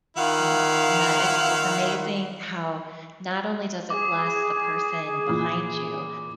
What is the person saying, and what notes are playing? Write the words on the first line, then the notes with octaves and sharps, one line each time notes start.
Yeah, and that it's it's amazing how not only does it bless the person behind you,
D#3 E4 F4 F5 F#5
G#4 D6
A#2 E3